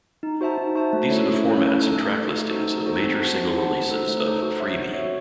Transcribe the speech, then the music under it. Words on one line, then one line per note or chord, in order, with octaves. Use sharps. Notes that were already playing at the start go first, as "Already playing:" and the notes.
These are the formats and track listings of major single releases of "Free Me".
D#4
F#4 C5 E5 A5
D#4
F#4 C5 E5 A5
A3
C#4 E4 A4 C#5
A3
C#4 E4 A4 C#5
A3
D#4 A4
A3
D#4 A4
A3
D#4 F#4 A4 C5
A3
D#4 F#4 A4 C5
C4
F#4 C5 F#5 A5
C4
F#4 C5 F#5 A5
A3
D#4 A4 C5
A3
D#4 A4 C5
F#4
C#5 E5
F#4
C#5 E5